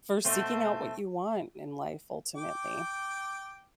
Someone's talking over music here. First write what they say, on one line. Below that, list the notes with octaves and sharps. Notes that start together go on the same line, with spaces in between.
for seeking out what you want in life, ultimately.
B2 A3 C4
G5 D6